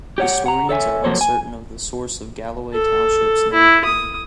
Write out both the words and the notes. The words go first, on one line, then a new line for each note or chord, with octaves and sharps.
Historians are uncertain of the source of Galloway Township's name.
G4 C#5 F#5
F#5 A#5
A4 C#5 E5 G#5
F3 F#3 A#3 A4 C5 C#5
G#5
A4
E4
D#6